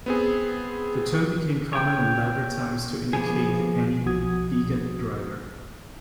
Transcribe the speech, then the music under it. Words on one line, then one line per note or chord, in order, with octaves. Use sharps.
The term became common in latter times to indicate any "biga" driver.
B3 C4 G#4
C#5 G5
F3 A#3 B3 G#4
B1 B2 F3 F#4 D#6 G#6